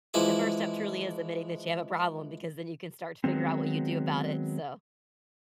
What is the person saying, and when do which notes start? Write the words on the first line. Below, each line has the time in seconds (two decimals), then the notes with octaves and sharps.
the first step truly is admitting that you have a problem because then you can start to figure out what you do about it, so
0.14 E3 F3 G#3 E4 D6
3.24 D#3 F#3 G#3 B3 C4